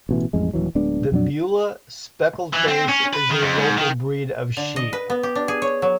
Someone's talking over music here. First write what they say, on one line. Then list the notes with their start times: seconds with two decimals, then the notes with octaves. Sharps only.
The Beulah Speckled Face is a local breed of sheep.
0.09 A1 B2 E3
0.33 A1 F2 G#3
0.53 D#1 G#1 E3 F#3
0.75 D1 G#3 B3 D4
1.12 F2 F#3 D4
2.53 E3
2.68 C4
2.89 C#4
3.13 B4
3.30 D#3
3.42 F2
3.58 G#2
3.77 D#3
4.57 D3
4.76 D#5
4.93 B4
5.10 B3
5.23 G4
5.35 D4
5.48 G#4
5.62 C#5
5.82 F#3